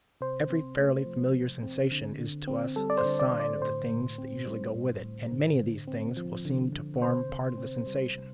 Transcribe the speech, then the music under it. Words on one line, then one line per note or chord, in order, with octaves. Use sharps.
Every fairly familiar sensation is to us a sign of the things that usually go with it, and many of these things will seem to form part of the sensation.
C3 C5
C4
A3
F3
C3
C4
D3
D3
C4
G3 A4
D5
C5
D3
D5
D3
D5
A2 C5
A2
C4
G3
A2
A2
D3
D3
C4
F3
D3
D3
C3 C5
C3
C4
G3
C3